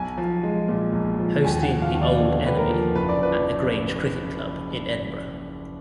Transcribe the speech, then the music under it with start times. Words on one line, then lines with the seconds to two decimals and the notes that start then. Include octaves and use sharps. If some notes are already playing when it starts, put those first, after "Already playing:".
Hosting the Auld Enemy, at the Grange Cricket Club in Edinburgh.
Already playing: B1 G#5
0.18 F3
0.43 G#3
0.68 A#2
0.93 B1
1.19 F3
1.44 D#2 G#5
1.63 F#5
1.69 F3
1.82 F5
1.94 D#2
2.01 D5
2.20 D3
2.45 D#2 B4
2.58 A#4
2.70 F3
2.95 F#1 B4
3.09 D5
3.22 F3 B4